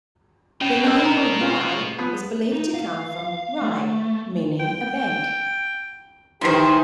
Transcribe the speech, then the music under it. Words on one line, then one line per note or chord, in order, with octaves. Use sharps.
The name of Rye is believed to come from "rie" meaning a bank.
B2 C#4 D7
C#4 D4 A#4 D#5 A5 E6
A#5
F4
F3 B3
D#4
F5
A3
G5
D#3 E3 E4 G4 C5 C6